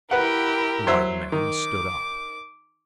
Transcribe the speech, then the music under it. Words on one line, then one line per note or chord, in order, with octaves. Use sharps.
The white man stood up.
E4 G4 A#4 B4 F#5
F#3 C5 E5
D#3 D6